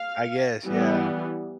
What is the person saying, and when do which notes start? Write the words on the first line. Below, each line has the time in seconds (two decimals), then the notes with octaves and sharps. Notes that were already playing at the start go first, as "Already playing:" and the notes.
I guess. Yeah.
Already playing: F5
0.65 E3 G3 B3